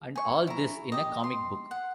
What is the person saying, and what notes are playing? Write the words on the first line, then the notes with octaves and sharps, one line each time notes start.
And all this in a comic book!
G#5 C#6
E4 A#5
G4 D#5
C6
F#5